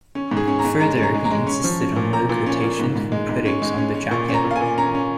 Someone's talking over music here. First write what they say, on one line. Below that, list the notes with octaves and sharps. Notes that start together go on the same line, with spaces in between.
Further, he insisted on no quotations from critics on the jacket.
C#4
G#2
G#4
C#4
A#5
G#2
G#3 A#5
C#4
A#5
G#3
A#5
G#3
C#4
F3
C#4
A#2
A#2 A#5
A#2
C#4
A#2
G#2
G#2
G#3
G#2
C#4
G#3
C#4
C#4
A#2 C#6
C#4
A#5
A#2
F5
G#5
A#2
C#4 A#5
C#4